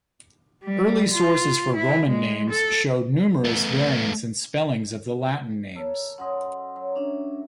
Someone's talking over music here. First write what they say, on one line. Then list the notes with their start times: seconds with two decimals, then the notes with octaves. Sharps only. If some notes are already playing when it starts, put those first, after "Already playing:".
Early sources for Roman names show numerous variants and spellings of the Latin names.
0.64 G3
1.12 F4
1.76 E4
2.09 G#3
2.51 A4
3.45 A3 B3
5.75 A4 A#4 C#5
6.18 F#2 C#4 D#5 F#5 C6
6.76 F#3
6.96 C#4 D4 E5